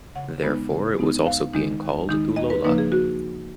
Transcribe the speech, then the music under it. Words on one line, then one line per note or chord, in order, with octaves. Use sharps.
Therefore, it was also being called "Ullola".
C#3 F#5
G#3 B3 D#4
C#3
G#3 B3 D#4
D#2 F5
D#3 G#3 D#4
D#2
D#3 G#3 D#4
D#2 D#5
B4
C#3 F3 A#3 D#4 B4
G#4
F#4